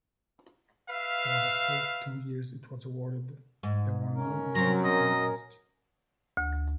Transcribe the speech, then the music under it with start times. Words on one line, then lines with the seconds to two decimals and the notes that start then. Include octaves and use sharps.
For the first two years it was awarded there were no nominees announced.
0.89 B4 E5 F5
3.63 G#2
4.14 C#4 A#4
4.55 F#2 F#3 C4 A#5
4.84 D#5
6.37 D2